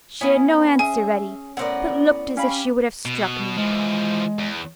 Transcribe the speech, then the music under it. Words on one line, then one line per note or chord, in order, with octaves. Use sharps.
She had no answer ready, but looked as if she would have struck me.
B3 C#4 E4 G#5 D#6
C#4 G#4 E5 G#5
A2 B3 A#4 C5 D5 F#5
C#4 G4 F5 B5
B2
E3 F3 G#3
E2